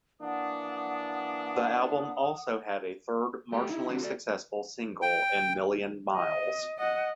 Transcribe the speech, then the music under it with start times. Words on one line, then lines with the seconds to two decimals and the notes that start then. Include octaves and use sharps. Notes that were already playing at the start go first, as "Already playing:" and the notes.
The album also had a third marginally successful single in "Million Miles".
0.22 E3 A#3 D4 F#5 D#6
3.53 A3 G4
3.69 D#4 E4
3.89 C4 D4 F#4
4.01 F#4 A4 C#5 D5
5.02 G5
6.16 D#5
6.78 D#5 F#5